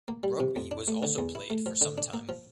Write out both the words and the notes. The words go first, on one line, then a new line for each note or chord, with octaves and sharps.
Rugby was also played for some time.
A#3
G3
C3
F2
D4
A3
D3
E2
E4
A3
F3
D3
D4
A#3
F3